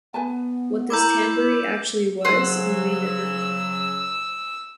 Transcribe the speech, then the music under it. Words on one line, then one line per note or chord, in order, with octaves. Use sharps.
What this tambouri actually was we may never know.
B3 B4 G#5 A5
E4 A#4 C#5 A#5 D6 E6 G6
C#3 F#3 C5 F#5 G#5 E6